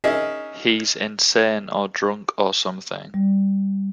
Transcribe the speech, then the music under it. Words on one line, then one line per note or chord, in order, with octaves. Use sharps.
He's insane or drunk or something.
C#4 D#4 G#4 A#4 D#5 E5
G3